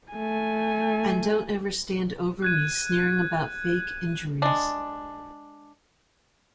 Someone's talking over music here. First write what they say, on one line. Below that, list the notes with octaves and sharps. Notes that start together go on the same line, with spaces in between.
And don't ever stand over me sneering about fake injuries.
A3 G#5
F#6 G#6 D#7
G#3 D4